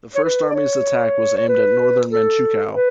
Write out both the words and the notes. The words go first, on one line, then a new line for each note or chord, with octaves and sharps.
The First Army's attack was aimed at northern Manchukuo.
C#5
B4
D5
C#5
C#5
B4
A4
B4